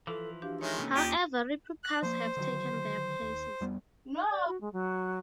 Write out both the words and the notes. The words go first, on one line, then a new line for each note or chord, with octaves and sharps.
However, replicas have taken their places.
E3 F3 A4
D4 F#4 G4 F5
D#3 G#3 C#5 E5 A#6
C3 E3 A3 A#3 C#4 F6
D#2 A#3 C#4 D#4 F4 G4 D5
F#6
F3 A#3 C5
D3 D#3 F#3
D#2
F2 G3 B3
D#4
D5
F#4
G#3
F#3